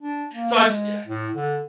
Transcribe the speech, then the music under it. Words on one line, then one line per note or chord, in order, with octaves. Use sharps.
So I've yeah.
D4
A#3
G#3
A2
D3